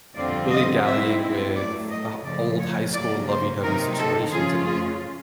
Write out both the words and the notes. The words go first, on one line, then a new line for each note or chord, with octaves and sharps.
dilly-dallying with a old high school lovey-dovey situations anymore.
F2 D3 G3 C4 F4 D5
D#5
B2 G3 C4 E4 E5
A2 F#3 A3 D5
D#5
F#2 C#3 F3 A3 D5
C#5
C#3 F#3 A#3 D5
C5
C3 D#3 F#3 A#3 D#4 A#4
A4
C#3 F3 A3 C#4 F4 G#4
G#4